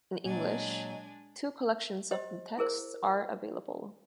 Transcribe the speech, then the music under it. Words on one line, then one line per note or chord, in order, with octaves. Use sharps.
In English, two collections of the texts are available.
A#2 F#3 G#3 D4 D#5 G#5
G4 C5 D#5
E4 G#4 A#4 C5